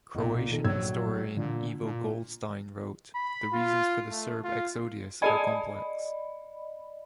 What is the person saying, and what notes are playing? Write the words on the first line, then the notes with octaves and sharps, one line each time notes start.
Croatian historian Ivo Goldstein wrote, The reasons for the Serb exodus are complex.
B1 A#2
D#3 A4
A#1 F#3 E6 G#6
A#2 D3
A#2
B5
F4
A3
F4
G#4 A4 D5 D#5 G#5 B5